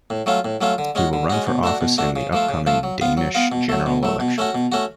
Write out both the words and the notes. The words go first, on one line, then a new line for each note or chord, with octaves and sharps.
He will run for office in the upcoming Danish general election.
A2
F#3 A3 C#4 F4
A2
F#3 A3 C#4 F4
D3
G#3 C#4 F#4
D3
G#3 C#4 F#4
B2
A3 D4 F#4
B2
A3 D4 F#4
C#3
F3 A3 F4
C#3
F3 A3 F4
F#3
B3 F4
F#3
B3 F4
B2
F#3 A3
B2
F#3 A3
B2
A3 C#4 F#4
B2
A3 C#4 F#4